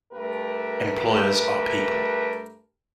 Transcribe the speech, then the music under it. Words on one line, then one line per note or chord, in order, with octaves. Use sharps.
Employers are people.
G2 A3 G4 A#4 B4